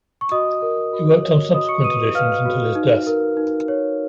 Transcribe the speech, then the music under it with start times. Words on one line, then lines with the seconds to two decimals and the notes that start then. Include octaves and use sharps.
He worked on subsequent editions until his death.
0.21 C#6
0.31 F#4 D#5 D#6
0.62 A#4
0.93 F#4
1.23 C#5
1.53 F#4 D#5 D#6
1.69 C#6 C#7
1.84 B4 D#6 D#7
2.15 B4 F5 F6
2.45 F#4
2.75 D#4
3.07 A#4
3.37 D#4
3.68 C#5